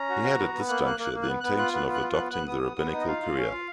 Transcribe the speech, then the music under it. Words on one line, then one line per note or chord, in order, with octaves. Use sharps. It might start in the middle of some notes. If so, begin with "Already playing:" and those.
He had at this juncture the intention of adopting the rabbinical career.
Already playing: C#4 A#5
F#4
F#4
B3
B3
A#3 F#6
A#3 F#6
A#3
F#6
A#3
F#6
B3
B3 F#6
F4 F#6
B3 F#6
F4
F#6
F4
F#6
B3
B3 F#6
B3 D#6
B3
B3
D#4
D#5
F4 F5
F4
C#4
F4